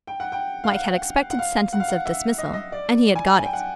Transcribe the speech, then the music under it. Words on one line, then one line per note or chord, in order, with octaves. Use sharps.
Mike had expected sentence of dismissal, and he had got it.
G5
F#5
G5
F5
F#5
F#5
F5
F#5
F5
F#5
E5
D#5
E5
D#5
D5
G#5
G#5
G5
F#5